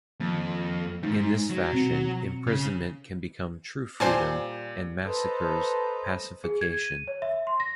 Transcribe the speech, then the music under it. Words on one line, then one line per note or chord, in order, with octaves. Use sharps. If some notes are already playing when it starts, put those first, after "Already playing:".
In this fashion, imprisonment can become "true freedom", and massacres "pacification".
F2 D#3 A#3
F2 G#2 D#4 G6
D#4
F#3
B2 C4 C#7
C#3
A#2 G3 C5 G#5 A5
A4 B4 C5 D#5 A5 A#5
G#4
G#6
D#7
C#5
E5
C6
A#6